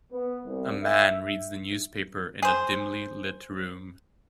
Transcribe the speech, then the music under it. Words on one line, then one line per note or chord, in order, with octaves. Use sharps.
A man reads the newspaper in a dimly lit room.
B3
C2
E5
G#4 C5